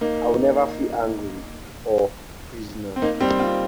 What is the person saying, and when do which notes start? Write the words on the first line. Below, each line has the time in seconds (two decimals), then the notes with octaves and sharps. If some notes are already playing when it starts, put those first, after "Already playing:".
I never feel angry or prisoner.
0.01 A#3 D#4
2.96 C4
3.02 A#3 D#4
3.20 G3 C4
3.39 C4 F4